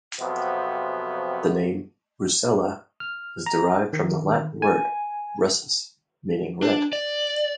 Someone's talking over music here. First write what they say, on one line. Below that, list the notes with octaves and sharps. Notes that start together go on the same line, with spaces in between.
The name "Russula" is derived from the Latin word "russus", meaning "red".
F2 C3 F3 F#3 B3
F6
A#5
D#3
G#5
D4
D5